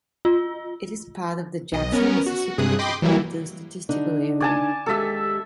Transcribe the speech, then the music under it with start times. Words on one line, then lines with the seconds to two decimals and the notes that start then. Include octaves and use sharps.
It is part of the Jackson, Mississippi Metropolitan Statistical Area.
0.25 F4
1.72 B1 D#5
1.92 B3 C#4 A#4
2.26 F#4
2.58 G2 C3 G#4 D#6 F#6
2.79 D#5 G5 B5 C6 D6
3.02 E3 F#3 G3 A#3 E4
3.89 D3 D4 D#4
4.40 D5 G#5 A5
4.86 D#2 G#3 G4 A4 E5